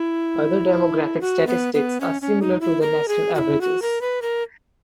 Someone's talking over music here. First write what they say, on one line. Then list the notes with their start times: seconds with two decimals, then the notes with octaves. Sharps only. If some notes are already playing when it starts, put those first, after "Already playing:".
Other demographic statistics are similar to the national averages.
Already playing: E4
1.21 F#4
1.47 B3
1.74 B3
2.00 C#4
2.22 C#4
2.42 D#4
2.61 E4
2.81 A#4
3.08 G#4
3.35 F#4
3.39 E4
3.61 F#4
3.82 A#4
4.01 B4
4.22 A#4